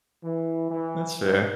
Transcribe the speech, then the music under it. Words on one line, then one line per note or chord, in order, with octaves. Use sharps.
That's fair.
E3
E3
G#2